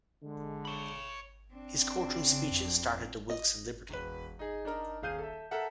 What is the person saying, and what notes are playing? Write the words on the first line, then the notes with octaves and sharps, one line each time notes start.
His courtroom speeches started the Wilkes and Liberty!
D3 G#3
C#5 B5
C4 D4
C#3
F2
D#5
E1 B4
D#4 G#4
D4 D#4 A#4
D#1 G#4 F5 G6 D#7
A4 E5
A4 A#4 E5 F#5